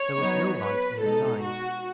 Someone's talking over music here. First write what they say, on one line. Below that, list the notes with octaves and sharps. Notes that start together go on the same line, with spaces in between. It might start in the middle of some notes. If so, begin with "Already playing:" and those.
There was no light in its eyes.
Already playing: C#5
F#3 B3 D#4
B4
B2 G#3 D#4 A4
F#4